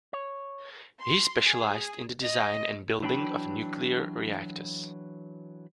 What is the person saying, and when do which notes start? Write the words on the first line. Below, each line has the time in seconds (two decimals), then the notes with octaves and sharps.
He specialised in the design and building of nuclear reactors.
0.13 C#5
0.99 C6
1.46 G#4
2.23 D#5
3.02 E3 F#3 D4 G5 B5